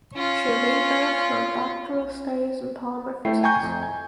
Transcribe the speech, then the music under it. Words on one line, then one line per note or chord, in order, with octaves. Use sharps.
She remained there for her doctoral studies in polymer physics.
C#4 F4
A3 E4 G5 C7
G5 G#5 A#5 C#6 G6
F2
G#5